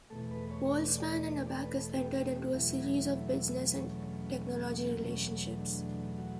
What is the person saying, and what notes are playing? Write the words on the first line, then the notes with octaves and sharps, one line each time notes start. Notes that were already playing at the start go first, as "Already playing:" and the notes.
Worldspan and Abacus entered into a series of business and technology relationships.
E2 B2 A3 A4
B4
C#5
C#5
D5
D5
A4
B4
A4
G4
E2 B2 F#3 A3 E4
C#4
C#4
E2 B2 F#3 A3
D4
F#4